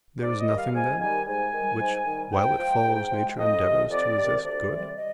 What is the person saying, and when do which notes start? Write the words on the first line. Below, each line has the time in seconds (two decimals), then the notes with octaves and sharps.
'There is nothing, then, which, while it follows nature, endeavours to resist good.'
0.21 G#2 D5
0.39 D#5
0.48 D#3 G3
0.57 F5
0.74 G#2 G#5
1.01 D#3 G3 G#5
1.27 G#2 G#5
1.53 D#3 G3
1.80 G#2
2.06 D#3 G3
2.32 G#2 G5
2.59 F3 G#3
2.85 G#2
3.12 F3 G#3
3.37 F2 D#5
3.64 C3 D#3
3.90 F2 D5
4.17 C3 D#3
4.43 D2 D5
4.70 C3 D#3 G3
4.96 D#5